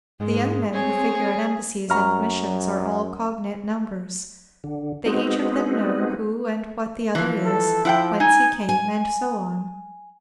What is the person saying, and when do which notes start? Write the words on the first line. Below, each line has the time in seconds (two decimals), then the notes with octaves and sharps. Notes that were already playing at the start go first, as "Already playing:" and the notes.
The young men who figure at embassies and missions are all "cognate numbers." They each of them know who and what the other is, whence he came, and so on.
0.20 G#2 G#3
0.74 C4 G#4 C#5
1.90 F#2 A#5 C#6 F6
4.64 D3
5.06 G#3 B3 C4 D#4 F#4
7.15 E3 F3
7.45 A4
7.85 F3 E4 F#5 G5
8.20 D#4 G#5
8.69 G#5